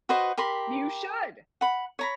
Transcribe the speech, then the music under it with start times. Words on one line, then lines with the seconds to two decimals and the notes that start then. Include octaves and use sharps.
You should.
0.09 F#4 B4 C5 D#5
0.37 G4 A#4 B5 C6
1.61 F#5 B5
1.99 C#5 A#5 B5